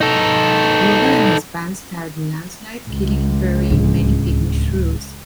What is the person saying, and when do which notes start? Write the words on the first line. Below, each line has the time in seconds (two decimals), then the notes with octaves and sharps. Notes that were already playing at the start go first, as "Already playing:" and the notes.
Gruven and his band start a landslide, killing and burying many pygmy shrews.
0.01 D#4 A4
2.88 C#2
3.70 D1 C#4